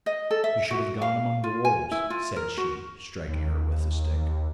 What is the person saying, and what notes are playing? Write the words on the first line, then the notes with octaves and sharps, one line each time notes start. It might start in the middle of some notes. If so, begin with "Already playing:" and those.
'You should have gone among the wolves,' said she, striking her with a stick.
D#5
A4
E5
F#4
F5
F4
G#5
E4
F4
A#4
F#4
D#2